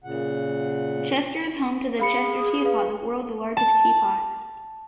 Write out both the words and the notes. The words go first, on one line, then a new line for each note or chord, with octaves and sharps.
Chester is home to the Chester teapot, the World's Largest Teapot.
A#2 C#3 F#5
G#4 F5 B5 C#7
B4 F5
A5